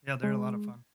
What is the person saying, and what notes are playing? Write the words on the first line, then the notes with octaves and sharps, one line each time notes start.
Yeah, they're a lot of fun.
G#3